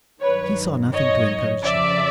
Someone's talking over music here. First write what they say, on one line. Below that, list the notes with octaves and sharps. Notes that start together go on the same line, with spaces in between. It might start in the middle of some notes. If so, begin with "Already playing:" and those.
He saw nothing to encourage him.
G2 D#3 F#3 B4 C#5
C#5 D#5
F2 C#3 F3 D5 E5